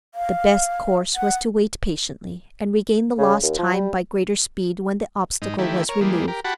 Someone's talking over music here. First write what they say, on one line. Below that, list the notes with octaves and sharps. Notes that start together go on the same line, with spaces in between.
The best course was to wait patiently, and regain the lost time by greater speed when the obstacle was removed.
F5
F#5
C#3
D#2
F3
G3
G#2 D#4
D#3 A3 E4 G4
A#4 C#5
E3 G3 G#3 A#3
G4 A#4
F#4 G4 F#5 A5 B5